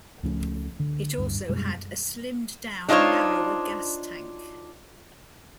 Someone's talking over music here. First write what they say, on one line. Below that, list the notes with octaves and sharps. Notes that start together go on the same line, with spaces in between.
It also had a slimmed down narrower gas tank.
C#2 F3 A3 C#4
D3
D1 G2
F#2 B2 G3 G#3
D4 D#4 F4 C5 C#5